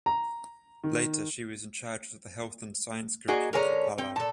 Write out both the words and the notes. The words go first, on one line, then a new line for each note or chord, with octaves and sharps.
Later she was in charge of the Health and Science Curriculum for Palau.
A#5
D#3
A#3 F#4 G#4 D#5
D3 G#3 C#4 A#4 G#5 A#5
C4 G5
A#2 A4 A5